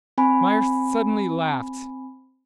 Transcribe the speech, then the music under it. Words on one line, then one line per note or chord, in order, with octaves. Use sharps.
Myerst suddenly laughed.
C4 G#5 B5